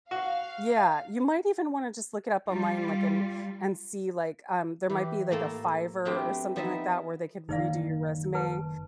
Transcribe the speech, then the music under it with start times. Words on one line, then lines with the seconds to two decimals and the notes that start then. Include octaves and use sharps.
Yeah, you might even want to just look it up online, like, and and see like, um, there might be like a Fiverr or something like that where they could redo your resume
0.11 F#4 F5
2.48 G3 F4
4.90 E3 G4
5.31 A2 A#3 A4 A5 C6
6.05 F#3 A3 B3 C4 D4 G4
6.56 F3 B3 C4 D#4 E5 A5
7.49 F#1 D#3 A#3 D#4 D5 F5
8.35 B4 A5